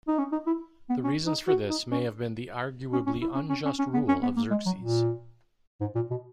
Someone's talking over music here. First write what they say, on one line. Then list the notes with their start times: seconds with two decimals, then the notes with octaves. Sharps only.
The reasons for this may have been the arguably unjust rule of Xerxes.
0.07 D#4
0.18 C#4
0.32 D#4
0.47 E4
0.89 B3
1.04 C#4
1.26 D#4
1.48 F#4
1.69 D#4
1.91 C#4
2.93 C#4
3.06 C#4
3.21 E4
3.35 C#4
3.49 C#4
3.65 C#4
3.79 C#4
3.94 B3
4.08 C#4
4.22 B3
4.37 A#3
4.51 G#3
4.66 F#3
4.80 A#2
5.81 G#2
5.95 A#2
6.10 B2